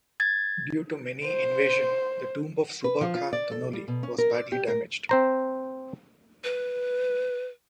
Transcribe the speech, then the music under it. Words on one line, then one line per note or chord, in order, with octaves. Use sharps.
Due to many invasion the tomb of Suba Khan Tanoli was badly damaged.
G#6 A6
C5
B4
F3
F4
D5
A4
G3
B2
C#4
A#4
D5
G4
A#4
C4 C5 A#5
B4